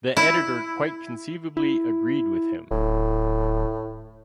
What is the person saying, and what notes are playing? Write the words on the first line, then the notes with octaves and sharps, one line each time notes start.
The editor quite conceivably agreed with him.
E4
E4
D1 A2